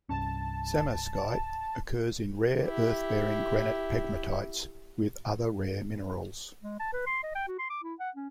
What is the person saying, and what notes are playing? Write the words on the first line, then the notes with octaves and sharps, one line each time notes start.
Samarskite occurs in rare earth bearing granite pegmatites with other rare minerals.
C2 G2 C#4 A5
E4 G4
G#3
A5
B4
C6
D#5
G5
F#4
C6
D6
E4
F#5
C#4